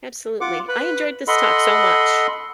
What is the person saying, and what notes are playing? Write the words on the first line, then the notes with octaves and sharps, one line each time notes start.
Absolutely. I enjoyed this talk so much.
F4 F#5 D6
B4 B5
A4 D#5 F#5 B5 C6